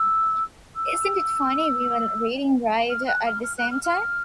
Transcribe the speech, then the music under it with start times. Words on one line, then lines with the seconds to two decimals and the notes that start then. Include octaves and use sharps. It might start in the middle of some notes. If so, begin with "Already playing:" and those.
Isn't it funny we were reading Wright at the same time.
Already playing: E6
0.75 E6
2.90 F6
3.08 F#6
3.26 F6
3.44 F6
3.58 F#6
3.71 F6
3.84 F6